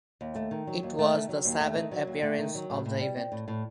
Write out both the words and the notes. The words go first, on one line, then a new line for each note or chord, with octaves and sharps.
It was the seventh appearance of the event.
D#2
A3
D#3
F#3
D#2
A3
D#3
F#3
D#2
A3
D#3
F#3
D#2
A3
D#3
F#3
A2
A2
G3
C4
A2
A2